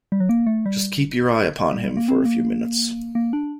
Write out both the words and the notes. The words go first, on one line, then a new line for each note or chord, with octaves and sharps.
Just keep your eye upon him for a few minutes.
G3
F#3
A#3
A3
G3
G3
G3
A#3
C4
A#3
A#3
D4